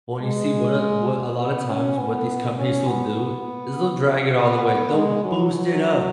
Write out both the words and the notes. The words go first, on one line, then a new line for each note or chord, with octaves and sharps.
When you see what a what a lotta times, what these companies will do is they'll drag it all the way, they'll boost it up.
G#3
B3
C#4
B3
C#4
B3
B3
B3
G#3
F#3
F#3